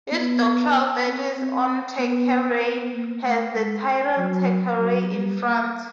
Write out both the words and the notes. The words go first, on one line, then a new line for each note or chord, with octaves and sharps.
His doctoral thesis on Thackeray has the title "Thackeray in France".
B3
C4
C4
B3
B3
A#3
A3
G#3
F#3
F#3
G3
A#3